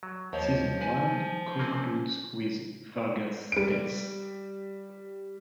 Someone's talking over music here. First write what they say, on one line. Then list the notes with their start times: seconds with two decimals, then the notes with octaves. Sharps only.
Season one concludes with Vargas' death.
0.03 F#3
0.33 D#2 F3 C#5
0.81 B4 G#5
1.59 A#3 C4 C#4
3.52 G3 D7